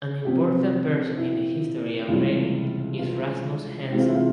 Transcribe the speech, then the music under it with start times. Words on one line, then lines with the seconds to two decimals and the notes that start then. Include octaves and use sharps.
An important person in the history of Grayling is Rasmus Hanson.
0.25 C3 F3 C4 G4
1.17 E4
2.08 C#2 C3 E3 G3 F4
2.99 F4
3.91 C3 E3 G#3 C4 G4
4.00 F4
4.07 E4
4.15 F4